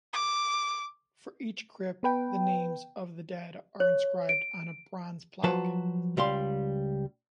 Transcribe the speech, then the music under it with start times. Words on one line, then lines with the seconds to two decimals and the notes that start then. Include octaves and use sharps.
For each crypt the names of the dead are inscribed on a bronze plaque.
0.13 D6
2.03 B3 B4 G5
3.80 C#5
4.29 D7
5.44 F3 F#3 B4 C5 A5
6.17 C#2 G3 F5 C6